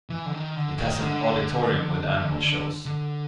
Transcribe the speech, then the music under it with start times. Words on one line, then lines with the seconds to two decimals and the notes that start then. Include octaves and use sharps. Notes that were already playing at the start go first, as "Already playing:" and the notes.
It has an auditorium with animal shows.
0.10 E3
0.26 D3
0.32 D#3
0.56 D3
0.78 D#3
1.01 D3
2.85 D3